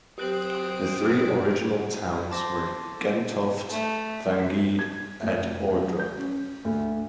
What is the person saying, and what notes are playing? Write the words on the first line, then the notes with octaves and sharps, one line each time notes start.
The three original towns were Gentofte, Vangede and Ordrup.
F#3 C4 G4 D#6 F#6 D7 F#7
C5 A5 D6 A#6
A4
A3
B6
G#6
F1
F#3
G6
C#4
D2